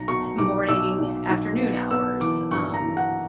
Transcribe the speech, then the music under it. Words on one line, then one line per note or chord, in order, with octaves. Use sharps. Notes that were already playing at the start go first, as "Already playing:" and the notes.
morning, afternoon hours, um,
Already playing: B1 A#5
B2 C#6
B1 D6
B1 E6
B1
B1
B3
B3 E6
E3 D6
G2 C#6
A#5
E3
F#5